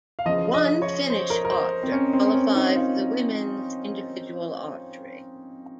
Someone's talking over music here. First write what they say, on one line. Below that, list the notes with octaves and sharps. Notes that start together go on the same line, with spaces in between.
One Finnish archer qualified for the women's individual archery.
F5
C#3 F3 D#5
D#5
C#5
C5
A#4
A#4
C5
C4
C#4
C4
C#4
D#4
F4